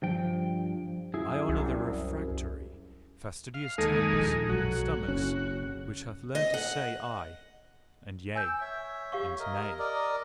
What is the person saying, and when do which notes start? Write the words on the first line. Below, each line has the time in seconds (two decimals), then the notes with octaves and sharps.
I honour the refractory, fastidious tongues and stomachs, which have learned to say "I" and "Yea" and "Nay."
0.02 G2 F3 G5
1.14 F#2 E4 G#4
1.49 C2
3.54 F5
3.78 D#2 G#3 D#4 A4
4.13 A#1
4.49 B1 F#3 F#4
5.08 F#1 C#4
6.35 D#5
6.54 F#5
8.36 G#5 E6 G6
8.61 C#5 E5
9.12 G4 F5 C#6
9.39 A#4 D#5
9.79 A#4 D5 D#5